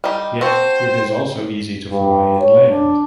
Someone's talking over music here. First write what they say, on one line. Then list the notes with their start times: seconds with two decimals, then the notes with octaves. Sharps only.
Yet it is also easy to fly and land.
0.04 G3 D#4
0.41 C4 F#4 C5 A5
1.91 G2
2.40 C#5
2.70 D4